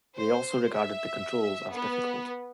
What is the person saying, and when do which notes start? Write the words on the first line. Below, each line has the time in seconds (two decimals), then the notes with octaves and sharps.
They also regarded the controls as difficult.
0.16 C5
0.74 E5
1.73 B3